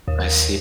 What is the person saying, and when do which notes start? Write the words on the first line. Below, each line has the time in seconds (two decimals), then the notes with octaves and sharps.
I see
0.08 D#2